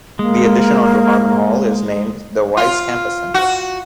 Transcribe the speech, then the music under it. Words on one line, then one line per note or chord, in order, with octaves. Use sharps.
The addition onto Harmon Hall is named the Wise Campus Center.
G#3 A#3
F4
F#4